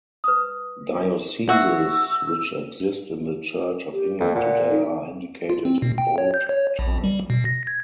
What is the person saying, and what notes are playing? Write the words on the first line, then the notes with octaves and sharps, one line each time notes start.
Dioceses which exist in the Church of England today are indicated in bold type.
B4 D#6
F#4 A#4 E5 F#5 E6
G4
F2 A4
A#2 F#5
D#4
F4
C4
B2
G5
C#5
G6
C#5
A#1
G3
B2
A#6
G#6